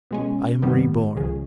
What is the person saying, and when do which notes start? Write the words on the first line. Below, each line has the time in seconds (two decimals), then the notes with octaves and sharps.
I am reborn.
0.11 B2 G#3 C#4
0.62 G2 D#3 G3 B3
1.15 C#2 C#3 F3 G#3